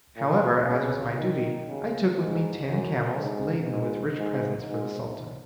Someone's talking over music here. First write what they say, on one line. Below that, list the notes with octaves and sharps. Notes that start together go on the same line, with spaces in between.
However, as was my duty, I took with me ten camels, laden with rich presents for the Sultan.
A#2
C#3
D#3
C#3
G#2
F#2
G#2
G#2
G#2
G#2